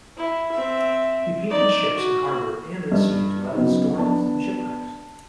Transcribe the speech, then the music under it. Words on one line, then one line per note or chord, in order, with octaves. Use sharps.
He painted ships in harbour and at sea as well as storms and shipwrecks.
E4
C4 E5
D#4 D5
F#4
G2
C#3 F#3 B3 C4 D#4
B3 D4 A5